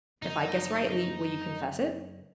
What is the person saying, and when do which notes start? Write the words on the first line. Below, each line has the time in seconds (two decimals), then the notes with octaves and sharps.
"If I guess rightly, will you confess it?"
0.22 F#1 D#4